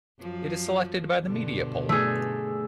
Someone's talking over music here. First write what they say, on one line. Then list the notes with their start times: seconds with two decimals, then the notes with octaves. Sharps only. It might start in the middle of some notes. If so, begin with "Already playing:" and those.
It is selected by the media poll.
0.20 F#2 F3
1.25 G2 B2 D3
1.89 A3 G#4